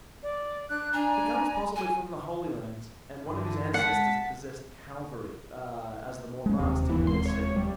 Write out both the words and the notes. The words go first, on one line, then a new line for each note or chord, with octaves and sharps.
"He comes possibly from the Holy Land, and one of his ancestors possessed Calvary, as the Mortemarts did the Dead Sea."
D5
D4 F#6
D4 D5 G#5 A#5
G#5
G2 D3 E3
G#3 F#5 A5 B6
G#3 C#4
E1 D#2 C3
G1 F2 E3 B3
G#3 A#3 C4 C6
C#5
G3